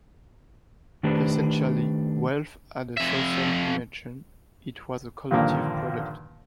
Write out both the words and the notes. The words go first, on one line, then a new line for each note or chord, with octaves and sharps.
Essentially, wealth had a social dimension; it was a collective product.
D#3 A3 D4 G4 B4 C5
F2 E5
G2 A#2 D3 D#3 F3 A#3